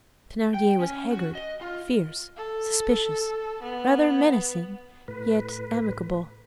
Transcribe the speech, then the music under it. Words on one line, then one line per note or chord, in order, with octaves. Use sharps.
Thenardier was haggard, fierce, suspicious, rather menacing, yet amicable.
G5
C#4
F#4
D#5
F4
A4
B3
A2 B4